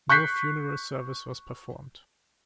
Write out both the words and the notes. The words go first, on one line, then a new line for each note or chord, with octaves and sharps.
No funeral service was performed.
C#6 F#6 G6 B6 C7